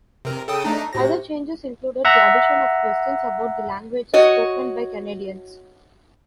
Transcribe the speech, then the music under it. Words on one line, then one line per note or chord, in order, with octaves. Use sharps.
Other changes included the addition of questions about the languages spoken by Canadians.
C3 A#4
C#3 A4 G5 D#6
A3 D4 D#4 A5 A#5
A2 C3 F#4 A#6
E5 F#5 A#5
F#4 C#5 D#5